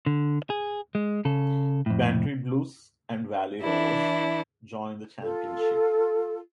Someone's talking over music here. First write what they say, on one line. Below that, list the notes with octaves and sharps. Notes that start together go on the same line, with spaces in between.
Bantry Blues and Valley Rovers joined the championship.
D3
G#4
G#3
C#3 A4
F2 A2
E3 D4 E4
F4 A4